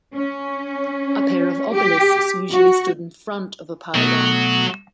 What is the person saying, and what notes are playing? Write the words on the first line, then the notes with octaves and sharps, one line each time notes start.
A pair of obelisks usually stood in front of a pylon.
C#4
G4
F#4
B2 F#3 A3 F#4